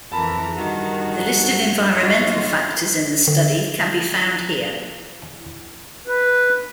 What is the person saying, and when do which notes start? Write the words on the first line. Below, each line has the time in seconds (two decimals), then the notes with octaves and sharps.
The list of environmental factors in the study can be found here.
0.12 F2 E3 A#4 A5 B5
0.56 G2 D#3 F#4
1.95 D#4 F4 F#4
3.28 D3
6.08 B4